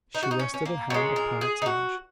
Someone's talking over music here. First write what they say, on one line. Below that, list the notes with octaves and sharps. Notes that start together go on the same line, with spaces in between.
She rested a hand upon its edge.
D#4
F#4
D#4
C#4
C#4
A#3
A#2 G#3 C#4
A#4
G#4
D#4
F#4